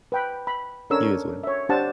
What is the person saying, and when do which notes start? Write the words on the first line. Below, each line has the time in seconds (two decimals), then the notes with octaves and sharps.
You as well.
0.12 B4 G5 B5
0.47 B5
0.90 C#4 D4 A4 A#4 C#5 E6
1.44 C#5 E5
1.69 D4 G4 C5 F#5 A5